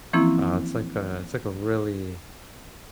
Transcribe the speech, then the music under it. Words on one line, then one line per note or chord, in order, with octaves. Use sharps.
Uh, it's like a it's like a really,
E3 F3 A#3 C4 C#4 E4